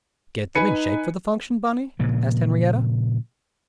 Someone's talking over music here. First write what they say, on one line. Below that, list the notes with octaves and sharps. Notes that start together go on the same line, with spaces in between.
"Get them in shape for the function, Bunny?" asked Henriette.
D#4 B4 G#5 C#7
A#2 C#3 F3